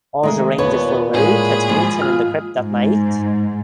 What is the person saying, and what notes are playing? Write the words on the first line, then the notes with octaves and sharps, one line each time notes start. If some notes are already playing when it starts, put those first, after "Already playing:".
Oz arranges for Veruca to meet him in the crypt that night.
D#3 G#3 A3 D#5 A#5
D#2 A#2 B3 B4 C#5
A2 G#3 G#4 B5
D#2 G#2 F3
F4 D#6 F6
G#2